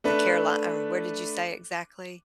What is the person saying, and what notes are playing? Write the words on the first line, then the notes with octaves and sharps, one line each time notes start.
the Caroli Um, where did you say exactly?
A3 D4 B4